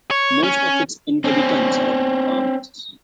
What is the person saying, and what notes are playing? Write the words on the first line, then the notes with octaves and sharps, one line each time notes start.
Most of its inhabitants are farmers.
C#5
C#4
C4 C#4